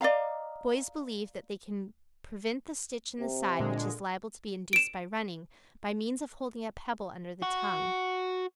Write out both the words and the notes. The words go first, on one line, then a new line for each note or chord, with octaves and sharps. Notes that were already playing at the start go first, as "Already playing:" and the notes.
Boys believe that they can prevent the stitch in the side which is liable to be induced by running, by means of holding a pebble under the tongue.
D5 D#5 F5 A#5
C3
A#2 D3 G#3
D7 E7
F#4